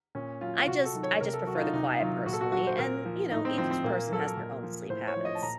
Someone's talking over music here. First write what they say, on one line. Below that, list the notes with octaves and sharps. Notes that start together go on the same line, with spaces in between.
I just I just prefer the quiet personally, and, you know, each person has their own sleep habits.
A#2 C#4
F#3 F4
F4
C3 F#4
A4
D#3 F#3
C#5
C3 A#4
A4
F#3 F#4
F4
D#4
C3 D#4
D#3 F#3 F4
A#2 F#4
A4
F#4
F#3 F#4
C5
A#2 A#4
F3
A2 D#4
C4
F3 C4
C4
A#2 A#3
F#3 A4
A#4
A#2
F3
A2 C5
C#5
F3
D#5
A5
A#2 A#5